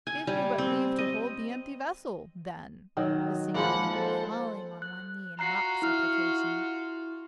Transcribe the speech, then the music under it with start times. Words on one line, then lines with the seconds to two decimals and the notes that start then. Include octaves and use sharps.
"Give me but leave to hold the empty vessel, then," the singer pleaded, falling on one knee in mock supplication.
0.07 G#5
0.27 G3
0.58 C4
0.98 D#5
2.97 D#3 F#3
3.54 F3 G#3 A#3 F#5 B5
3.92 A4 C5
4.82 F#6
5.39 F4 F#4 A#5 F#6 C7
5.82 E4 F6